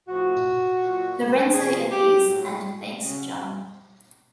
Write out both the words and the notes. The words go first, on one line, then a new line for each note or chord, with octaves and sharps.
Lorenzo appears and thanks John.
A2 F3 F#4
A#2 F#3
C3 F3 G#4
G4
A2 F#3
C#3 F#3